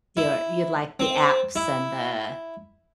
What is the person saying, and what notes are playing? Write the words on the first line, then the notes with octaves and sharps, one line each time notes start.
your you like the apps, and the
E4
C4
E4